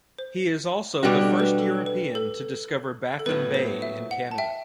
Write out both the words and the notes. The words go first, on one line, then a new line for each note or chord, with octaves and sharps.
He is also the first European to discover Baffin Bay in Canada.
C5
B2 G3 D4 F#4 B4
A4
B4
A4
B4
A4
A4
A2 F#3 B3 B4
C5
E5
F#5
A5
E5 G5